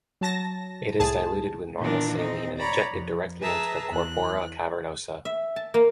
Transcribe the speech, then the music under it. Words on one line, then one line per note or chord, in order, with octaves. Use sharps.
It is diluted with normal saline and injected directly into the corpora cavernosa.
F#3 A5 A#6
C2 A2 G#4 A5
A#2 D#3 E3 B3 D4 A#4
C4 D#4 D#5
C#5 D5 A#5 B5
F2
G#4 B4 E5 A5 A#5
E2 F#6
E5
A5
A#3